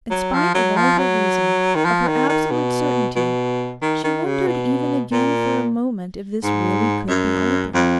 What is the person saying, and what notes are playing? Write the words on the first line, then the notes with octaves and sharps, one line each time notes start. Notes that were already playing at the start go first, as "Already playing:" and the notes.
In spite of all her reason, of her absolute certainty, she wondered even again for a moment if this really could be Arthur.
F#3
F3
F#3
F3
F#3
D#3
F3
D#3
D#3
B2
B2
D#3
D#3
C#3
B2
A#2
G#2
F#2
F2